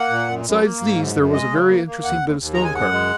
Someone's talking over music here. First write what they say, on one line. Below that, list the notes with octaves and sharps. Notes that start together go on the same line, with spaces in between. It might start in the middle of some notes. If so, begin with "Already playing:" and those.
Besides these there was a very interesting bit of stone carving.
Already playing: A#3 F#5
A#2
F#2
F#2
A#3
G#2
F#2
F#2
G#3 D#5
C#3
A#3
A#3
D#2 F#5
D#2
D#2
G#3 A#5
G#5
F#2 F#5
G#3